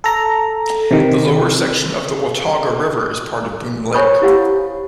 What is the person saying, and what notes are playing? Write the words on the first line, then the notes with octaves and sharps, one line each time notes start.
The lower section of the Watauga River is part of Boone Lake.
A4 A#5
C3 D#3
C5 C#5 G#5 B5 C#6 D#6
E4 G4 F5 F#5